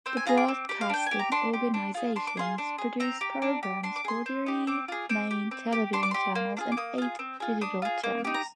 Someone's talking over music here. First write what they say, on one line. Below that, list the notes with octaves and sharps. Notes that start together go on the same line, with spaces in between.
The broadcasting organisations produce programmes for three main television channels and eight digital channels.
C4 C5
G#5
F4 G#4 A#5
D6
C4
G4
F5
D4 G5
G4 G#5
A#5
D4 C6
G4
D4
F4 G#4
D4 C6
D6
F4 G#4 C6
D4
G#4
C4 A#5
G4
D4
G4
D4 C6
D6
G#4 C6
C4
D#4 G4
C4 D6
F4 G#4
C4 D6
G4
C4
G4
D4 C6
D6
G4 C6
A#3
D4 F4 G#4
D6
A#3 D#6
F4 G#4
C4
F4 G#4
D4 D#6
F4 G#4
A#3
D#4 G4
A#5